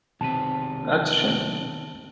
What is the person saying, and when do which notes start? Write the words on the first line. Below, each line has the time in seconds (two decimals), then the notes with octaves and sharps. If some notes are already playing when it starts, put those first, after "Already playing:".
That's a shame too.
0.21 B1 C3 D#3 C4 B4 A5